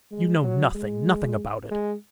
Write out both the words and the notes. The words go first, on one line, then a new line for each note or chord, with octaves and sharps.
You know nothing, nothing about it....
G#3
F#3
G#3
G#3